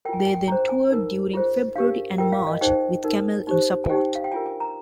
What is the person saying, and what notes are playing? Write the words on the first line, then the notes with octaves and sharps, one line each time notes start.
They then toured during February and March with Camel in support.
F4 A#4 G5 G#5
G5
G#5
G5
D4 G#4 C5 A#5
G#5
D#4 A#4
F4 G#4 C5
D4 G4 A#4 F5
F4 A#4 G5
F5
D#5
D#4 G#4 C5 G5
D#4 A#4
D#4 G4 C5
G#5
D#4 G4 C5 G5
F5
G5
D4 F4 A#4 G#5
G#5
A#5